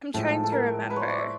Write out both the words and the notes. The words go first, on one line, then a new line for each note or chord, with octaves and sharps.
I'm trying to remember.
A2 F3 G#3 A4
A4
A#4
B4
C5 C#5
D5
E5